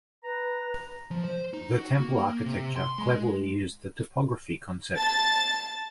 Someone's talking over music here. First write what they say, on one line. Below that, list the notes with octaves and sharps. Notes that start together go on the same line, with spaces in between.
The Temple Architecture cleverly used the topography concept.
B4 A#5
F3
C5
D#4
F#4
A#3
C3
C6
G#3
A5 A6